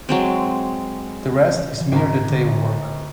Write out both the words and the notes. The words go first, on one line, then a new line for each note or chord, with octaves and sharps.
The rest is mere detail work.
F#3 G#3 C4
E3
G#1 G#2 A#5
D3